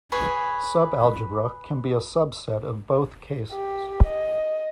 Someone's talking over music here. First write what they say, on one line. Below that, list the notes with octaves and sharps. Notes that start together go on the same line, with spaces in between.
Subalgebra can be a subset of both cases.
G#4 B4 C#5 G#5
G4
D#5